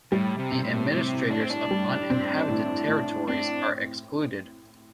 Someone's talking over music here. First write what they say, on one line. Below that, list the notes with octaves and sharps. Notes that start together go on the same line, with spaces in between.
The administrators of uninhabited territories are excluded.
A2 G3
C3
C4
A2
A2 C3
A2 D4
C4
D4
G3
C4
A2
A2
C4 D4